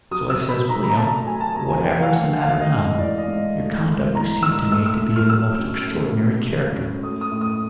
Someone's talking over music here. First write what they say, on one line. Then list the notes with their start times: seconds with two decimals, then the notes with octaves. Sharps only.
So I says, 'Willyum, whatever is the matter now? Your conduct do seem to me to be of the most extraordinary character.'
0.11 F#3 D#6
0.30 E6
0.40 C3
0.49 B5
0.68 D#3 A#5
0.83 B5
0.90 A#5
0.97 A3 A5
1.27 F#3 G#5
1.41 A5
1.55 C3 A#5
1.69 G#5
1.83 D#3 G5
2.02 F5
2.13 A3 F#5
2.37 E5
2.41 A3 F5
2.61 D#5
2.70 G#2
2.80 D#5
2.99 E3 D5
3.18 D#5
3.28 G#2
3.57 A3
3.85 G#2
4.14 E3 A#5
4.43 G#2 E6
4.72 A3 E6
4.86 E6
5.00 A2
5.16 F6
5.30 F#3 E6
5.59 C#4
5.87 A3
6.16 A2
6.45 F#3
6.74 C#4
7.03 A3 D#6
7.21 D#6
7.31 A2
7.41 D#6